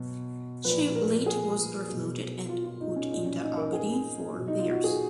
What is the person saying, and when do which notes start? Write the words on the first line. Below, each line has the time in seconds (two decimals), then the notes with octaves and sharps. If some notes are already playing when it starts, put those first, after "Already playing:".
She later was refloated and put into Aberdeen for repairs.
Already playing: B2 F#3
0.64 A#2 F3 B4
0.95 A#4
1.26 G#4
1.87 B2 F#3
2.49 F4
2.64 F4
2.80 D#4
2.96 C#4
3.10 A#2 F#3 D#4
3.26 C#4
3.42 D#4
3.57 A#4
3.73 G#4
4.34 B2 F#3
4.48 D#4
4.59 F4
4.72 F#4
4.84 G#4